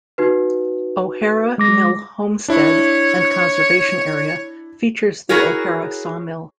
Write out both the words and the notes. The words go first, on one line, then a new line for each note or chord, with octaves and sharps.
O'Hara Mill Homestead and Conservation Area features the O'Hara Sawmill.
D#4 F#4 B4
G#3 D6 A#6
D4 E4 C#5
E4 F#4 G#4 A#4 C#5